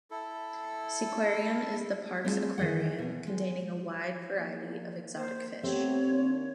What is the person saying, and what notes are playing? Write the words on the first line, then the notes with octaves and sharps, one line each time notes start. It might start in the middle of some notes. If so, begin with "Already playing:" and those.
SeaQuarium is the park's aquarium, containing a wide variety of exotic fish.
E4 A4
G3 A3 C4 D4 F4 G#4
D#3 E3 G#4 D#5 F#5
B2 B3
G#3
F3 A#3
A#3 C5
A3 B3 C4 G4 C#5 E5
D#3 A#3 D4